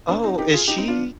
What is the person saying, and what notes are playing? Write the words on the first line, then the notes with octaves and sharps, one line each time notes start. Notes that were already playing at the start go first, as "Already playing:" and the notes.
Oh, is she
B3 D4
C4 D#4
D#4 G4
F4 G#4
D#4 G4
C4 D#4
D4 F4